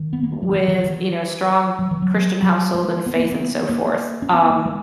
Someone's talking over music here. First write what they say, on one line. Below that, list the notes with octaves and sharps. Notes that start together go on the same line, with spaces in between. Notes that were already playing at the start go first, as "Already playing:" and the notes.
with, you know, a strong Christian household and faith and so forth, um,
Already playing: D#3
B3
A#3
G#3
F#3
E3
E3
E3
F#3
E3
F#3
F#3
G#3
B3
A#3
B3
A#3
C#4
B3
A#3
G#3